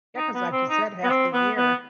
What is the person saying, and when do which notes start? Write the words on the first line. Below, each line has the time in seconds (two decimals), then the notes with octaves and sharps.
Yeah, 'cause like you said, half the year,
0.17 D#4
0.34 B3
0.52 C4
0.69 D#4
1.03 B3
1.10 C4
1.33 B3
1.57 B3